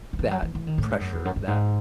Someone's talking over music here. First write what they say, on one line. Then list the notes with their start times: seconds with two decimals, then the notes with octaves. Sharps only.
that pressure, that
0.13 F#3
0.19 E3
0.31 F#3
0.42 E3
0.55 E3
0.67 D#3
0.78 A2
0.90 G#2
1.01 F#2
1.12 E2
1.25 F#2
1.36 F#2
1.48 G#2